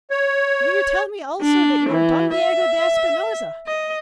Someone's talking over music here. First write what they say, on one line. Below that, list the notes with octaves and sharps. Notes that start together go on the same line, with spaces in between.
"Will you tell me also that you are Don Diego de Espinosa?"
C#5
D4
E3
E5
D#5